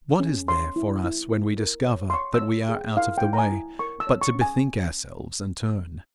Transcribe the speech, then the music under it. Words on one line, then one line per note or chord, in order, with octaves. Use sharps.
What is there for us when we discover that we are out of the way, but to bethink ourselves and turn?
C#4
C#5 C6
E4
E4
E4
A#4
C#5
C6
C#5 C#6
E6
C#5
G#4
G5
E4 F5
G5
E4
A#5
G#5
E4
A#4 C#6
E6
C#5
C#6
C#4
G#5